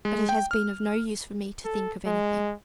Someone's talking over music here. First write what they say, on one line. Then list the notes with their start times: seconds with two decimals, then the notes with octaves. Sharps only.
But it has been of no use for me to think of anything.
0.05 G#3
0.29 G5
0.51 F6
1.64 A4
2.07 G#3